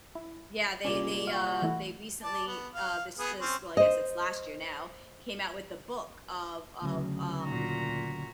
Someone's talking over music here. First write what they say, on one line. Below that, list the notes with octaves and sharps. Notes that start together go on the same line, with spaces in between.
Yeah, they they, uh they recently, uh this this well, I guess it's last year, now, came out with a book of of, um
E4
C2 A#2 C#4 D5
F#4 F5
E3 A3 E4
D5 A5
B3
F5
B3 G#4
C4 C#4
C5 D#5
D2 C#3 F#3
A#2 F#4 A#5